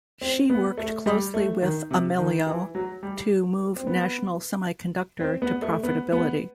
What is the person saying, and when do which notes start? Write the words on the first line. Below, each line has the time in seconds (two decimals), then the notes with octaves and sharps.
She worked closely with Amelio to move National Semiconductor to profitability.
0.21 C4
0.50 B3
0.78 A3
1.06 G3
1.34 A3
1.62 D#3
1.91 C3
2.19 D#3
2.47 E3
2.75 F#3
3.03 G3
3.76 C4
3.87 B3
5.20 C4
5.42 B3
5.62 A3
5.83 B3
6.12 B3